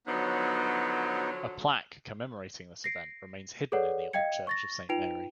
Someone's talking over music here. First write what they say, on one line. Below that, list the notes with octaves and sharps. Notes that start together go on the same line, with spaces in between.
A plaque commemorating this event remains hidden in the old church of Saint Mary.
D3 F3 F#3 B3 D#4
A#6 C7 D7
G#4 A4 B4 C#5 D5 F#5
D#5 F5 G5 G#6 C#7
C#6 A6 A#6
D#4 F4 B4 G5 D7 F7